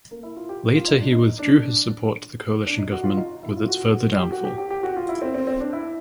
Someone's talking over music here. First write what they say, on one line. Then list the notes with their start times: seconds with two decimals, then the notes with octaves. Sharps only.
Later he withdrew his support to the coalition government with its further downfall.
0.11 A#3
0.23 E4
0.37 F4
0.49 G4
0.75 F4
0.88 D#4
1.00 D4
1.13 D#4
1.39 D4
2.66 D4
2.79 D#4
2.92 F#4
3.04 F4
3.17 D#4
3.43 E4
3.56 F4
3.68 F#4
3.94 F#4
4.19 G4
4.32 F#4
4.45 G4
4.58 G4
4.71 G4
4.83 F#4
4.96 F4
5.09 E4
5.22 C4
5.34 C4
5.47 C4
5.60 D4
5.73 E4